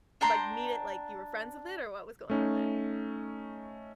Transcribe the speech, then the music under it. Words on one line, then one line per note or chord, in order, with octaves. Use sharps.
like, meet it like you were friends with it, or what was going on there?
D4 G5 A#5 C6
A3 C#4 D#4